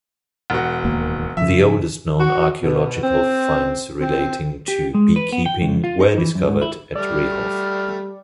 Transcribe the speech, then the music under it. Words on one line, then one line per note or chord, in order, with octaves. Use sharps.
The oldest known archaeological finds relating to beekeeping were discovered at Rehov.
E1 F#4
D1 D#2 A#3
C#3 F3 E5
F#4
B2
C4
C4
G4
G#3
B4
B3
G5
C#2
F4
D#4
E3
F#2
G#2
E4
G3 A3 D5 F6